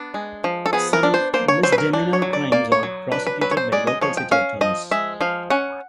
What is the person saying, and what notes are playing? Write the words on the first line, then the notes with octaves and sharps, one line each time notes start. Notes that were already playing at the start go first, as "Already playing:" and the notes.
Some misdemeanor crimes are prosecuted by local city attorneys.
Already playing: B3 D4
G#3
F3
A4
B3 G#4
A#4
D4
C5
A#3 C5
C#5
F#3 C5
B4
A#4
D4
C#5
F#3
D5
A#3 D5
C#5
F#3
D4 B4
B4
F#3 B4
C#5
C5
G#3 D5
D#5
F3 C#5
G5
C#4 F5
F3 D#5
G#3 E5
F3 F5
C#4 F#5